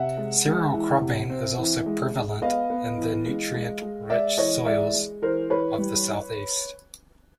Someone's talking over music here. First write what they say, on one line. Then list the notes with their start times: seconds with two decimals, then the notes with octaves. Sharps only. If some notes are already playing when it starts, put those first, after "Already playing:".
Cereal cropping is also prevalent in the nutrient-rich soils of the South East.
Already playing: C3 E5 F#5
0.17 G#3
0.45 G#3
0.74 E3
1.02 C3
1.30 C4
1.58 E3
1.86 G#3
2.14 G#3
2.42 B3 D#5 F5
2.70 B3
2.98 E3
3.26 G#3
3.54 G#3
3.82 G#3
4.10 G#3 D5 E5
4.38 E3 C#5 D#5
4.66 G#3 D5 E5
4.94 G#3
5.22 E3 A#4 C5
5.50 E3 B4 C#5
5.78 G3